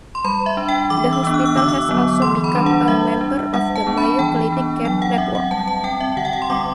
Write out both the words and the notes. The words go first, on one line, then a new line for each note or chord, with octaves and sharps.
The hospital has also become a member of the Mayo Clinic Care Network.
C6
G3 B5
E5
D4
G5
E3 D6
E6
B3 D4
F#6
E6
D3 D6
E6
F#3 B3
E3 C6
B5
G3 D4
F#5
G3 E5
D4
G3 F#5
A5
B3 D4
B5
E3 G5
B3 D4
F#3 G5
F#5
C4 E5
F#5
G3 A5
A5
C4 G5
E5
D3 F#5
G5
F#5
C6
G3 C4 D6